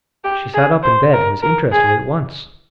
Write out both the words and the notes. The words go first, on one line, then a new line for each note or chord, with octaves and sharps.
She sat up in bed, and was interested at once.
G4
G#4
C5
A#4
A#4
G#4